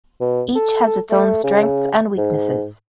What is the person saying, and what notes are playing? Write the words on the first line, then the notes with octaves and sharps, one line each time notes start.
Each has its own strengths and weaknesses.
B2
A4
A3
C#3
G#2